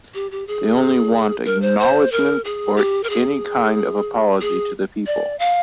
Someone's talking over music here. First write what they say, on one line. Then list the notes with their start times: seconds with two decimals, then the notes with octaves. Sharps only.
They only want "acknowledgement or any kind of apology to the people".
0.14 G4
0.31 G4
0.47 G#4
1.45 A#4
1.62 C5
1.79 C5
2.12 A#4
2.45 G#4
2.77 G4
3.03 A#4
3.09 G#4
4.41 G#4
5.06 D5
5.39 F5